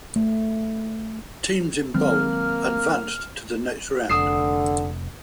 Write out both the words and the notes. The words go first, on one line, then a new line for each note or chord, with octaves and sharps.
Teams in bold advanced to the next round.
A3
D#3 F#3 G#3 A#3 C4 F6
F1 D3 D#6 E6 C7